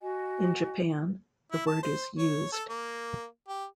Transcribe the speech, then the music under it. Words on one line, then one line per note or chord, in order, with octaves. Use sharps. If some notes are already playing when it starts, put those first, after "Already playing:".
In Japan, the word is used.
F#4 D#5 G#5
E4
A5
C5
C#5
A4
A#3
G4